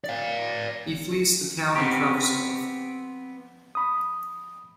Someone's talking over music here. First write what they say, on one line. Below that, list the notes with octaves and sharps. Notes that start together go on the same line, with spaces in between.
He flees the town and travels north.
D5 F5
B3 C4 G4
B5 D#6